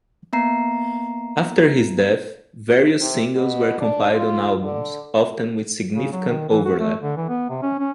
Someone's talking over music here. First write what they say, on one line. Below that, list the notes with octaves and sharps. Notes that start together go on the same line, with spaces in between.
After his death, various singles were compiled on albums, often with significant overlap.
A#3 B3 A#5 C7
C3
B2
D4
F4
D3
C#3
F#3
D#3
E3
F#4
A3
D3
E3
B3
C3
C#4
C#4